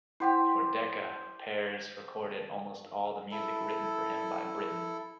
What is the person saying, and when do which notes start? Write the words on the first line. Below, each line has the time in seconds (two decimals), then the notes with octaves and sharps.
For Decca, Pears recorded almost all the music written for him by Britten.
0.20 E4 G4 C5 F#5 G5
3.31 E4 A4